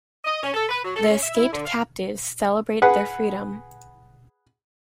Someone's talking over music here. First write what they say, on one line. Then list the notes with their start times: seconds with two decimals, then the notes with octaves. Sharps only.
The escaped captives celebrate their freedom.
0.25 D#5
0.42 C#4
0.54 A4
0.69 B4
0.83 F#3
0.95 A4
1.10 C#4
1.23 E5
1.34 E4
1.51 D3
1.65 F5
2.82 G#4 B4 F#5